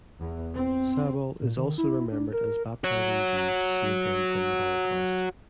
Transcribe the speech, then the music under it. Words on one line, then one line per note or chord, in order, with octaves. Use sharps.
Sabol is also remembered as baptizing Jews to save them from the Holocaust.
E2
C4
A#2
D#3
E4
D4
A#4
F#4 C#5